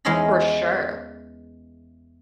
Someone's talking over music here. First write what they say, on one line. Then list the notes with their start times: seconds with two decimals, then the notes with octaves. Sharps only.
For sure.
0.05 E2 G#3 C#4 A#4 D#5 B5